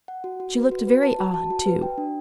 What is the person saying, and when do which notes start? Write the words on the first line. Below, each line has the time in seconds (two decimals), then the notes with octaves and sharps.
She looked very odd, too.
0.08 F#5
0.24 F#4
0.40 F#4
0.56 B4
0.71 F#4
0.87 B4
1.03 A5
1.19 F#4
1.34 A5
1.50 F#4
1.66 B4
1.82 G5
1.98 D4